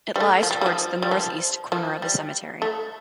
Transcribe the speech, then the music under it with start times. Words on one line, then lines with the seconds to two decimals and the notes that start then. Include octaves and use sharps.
It lies towards the north-east corner of the cemetery.
0.16 G3
0.20 A3
0.43 F3
0.51 G3
0.61 G3
0.66 F3
1.02 G3
1.11 F3
1.72 F3
2.02 G3
2.62 A3